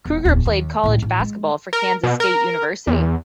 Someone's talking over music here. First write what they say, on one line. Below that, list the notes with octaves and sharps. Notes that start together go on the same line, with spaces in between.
Kruger played college basketball for Kansas State University.
E1
D1 E2
D#2
C#2 A2
A1
G#3
A#4
B2
A#4
E2